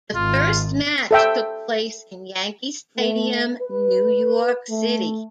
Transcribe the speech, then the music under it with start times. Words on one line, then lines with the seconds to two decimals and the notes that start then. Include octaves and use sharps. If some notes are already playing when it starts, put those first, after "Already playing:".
The first match took place in Yankee Stadium, New York City.
0.15 G#1 F4
1.11 A4 E5 G5
2.97 A3
3.61 B4
4.70 A3